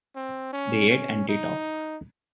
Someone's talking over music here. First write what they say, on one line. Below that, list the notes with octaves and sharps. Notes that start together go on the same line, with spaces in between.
They eat and they talk.
C4
C#4
C#4
D#4